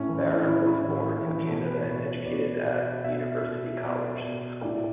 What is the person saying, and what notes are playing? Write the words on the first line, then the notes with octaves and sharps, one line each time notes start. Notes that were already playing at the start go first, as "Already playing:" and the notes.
Barrett was born in Canada and educated at University College School.
Already playing: A2 C#4
E3
A2 D4
E3 E4
A2 E4
E3
A2
E3
B2 A4
B4
B2 C#5
B2 D5
B2 D5
B2 E5
B2
B2 D5
B2
A2 D5